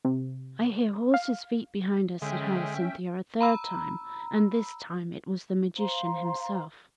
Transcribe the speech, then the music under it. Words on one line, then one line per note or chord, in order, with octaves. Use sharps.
"I hear horses' feet behind us," said Hyacinthia a third time; and this time it was the magician himself.
C3
F5
D3 G#3 C#4 E5 G5
A#5 B5 E6
C5 F5 A#5 C6